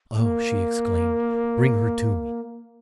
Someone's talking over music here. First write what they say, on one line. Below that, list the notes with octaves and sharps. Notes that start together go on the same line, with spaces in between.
"Oh!" she exclaimed, "bring her to me!"
A#3